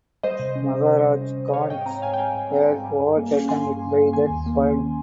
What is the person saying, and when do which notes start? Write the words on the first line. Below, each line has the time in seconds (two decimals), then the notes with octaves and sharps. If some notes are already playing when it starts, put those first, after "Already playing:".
Maharajganj had overtaken it by that point.
0.23 G3 C5 D#5
0.40 C3
0.56 C#4
0.72 C3
0.89 G3
1.05 C3
1.21 C#4
1.38 C3
1.48 D#5
1.53 G3 C#5 F5
1.69 G#2 D#5 G5
1.86 C4 G5 A#5
2.02 G#2 F5 G#5
2.14 G5
2.18 G3 F5 G#5
2.35 G#2
2.51 C4
2.68 G#2
2.84 G3
2.99 G2
3.16 A#3
3.33 C#4
3.49 G3 G#5 C6
3.65 G2
3.82 A#3
3.98 C#4
4.13 D#3 G#5 C6
4.29 D#2
4.46 A#3
4.63 C#4
4.79 D#3